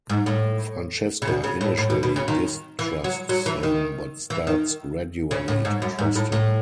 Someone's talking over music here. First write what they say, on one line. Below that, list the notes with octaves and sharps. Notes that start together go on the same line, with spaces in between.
Francesca initially distrusts him but starts gradually to trust him.
G#2
A2
C#3
B2
C#3
A2
A2
B2
B2
C#3
D#3
E3
F#3
F#3
E3
D#3
E3
D#3
C#3
A2
G#2
F#2
G#2
A2
A2